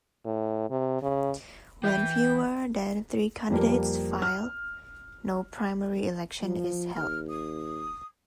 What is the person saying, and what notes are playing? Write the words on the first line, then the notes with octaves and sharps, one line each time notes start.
When fewer than three candidates file, no primary election is held.
A2
C3
C#3
E3 E4 G5
F2 G3 A#3
F6
F3
D#2 F6
D#6